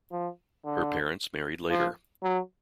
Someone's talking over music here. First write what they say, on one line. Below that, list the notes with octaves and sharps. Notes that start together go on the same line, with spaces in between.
Her parents married later.
F3
D3
F3
F#3